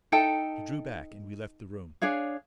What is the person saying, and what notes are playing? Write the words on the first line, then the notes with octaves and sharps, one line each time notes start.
He drew back; and we left the room.
D#4 A4 G5 A5
D4 G#4 C#5 F5